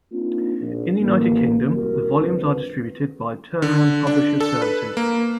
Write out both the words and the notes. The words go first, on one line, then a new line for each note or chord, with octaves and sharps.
In the United Kingdom, the volumes are distributed by Turnaround Publisher Services.
A#3 C4 D4 D#4 F4
A#1
A1 A#3
C2 F#4 A#4
G#1 D2 F3 C4 B4
D3
D4
A4
B4
A#3